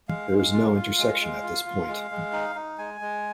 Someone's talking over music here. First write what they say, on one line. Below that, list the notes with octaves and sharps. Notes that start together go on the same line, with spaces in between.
There is no intersection at this point.
G#3 F5
G#3
F5
F4
F5
F4
G#3
G#3
F4
F4
G#3
G#3
D#4
D#4
G#3 G#5
G#3